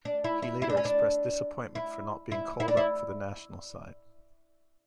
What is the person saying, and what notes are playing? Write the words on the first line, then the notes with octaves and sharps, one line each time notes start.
He later expressed disappointment for not being called up for the national side.
D4
E4
E4
E4
D4
C#4
D4
E4
E4
E4
D4
E4